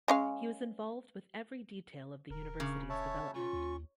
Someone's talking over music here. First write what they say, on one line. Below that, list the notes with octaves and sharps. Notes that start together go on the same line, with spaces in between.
He was involved with every detail of the university's development.
G#3 C#4 F5
D#1 A#4
C#3
C#5 E5 A5
C#4 F4 C#6
D#2